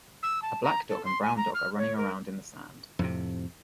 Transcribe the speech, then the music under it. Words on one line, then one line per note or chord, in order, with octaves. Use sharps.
A black dog and brown dog are running around in the sand.
E6
A5
A#5
A4
C6
G#5
A#5
F6
C#5
A#4
F2 A2 C3